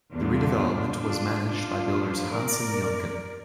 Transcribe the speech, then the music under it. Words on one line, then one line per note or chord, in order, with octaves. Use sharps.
The redevelopment was managed by builders Hansen Yuncken.
E2 D3 G3 D4 F4
D4 F4
D4 F4
A2 F3
A#4 D5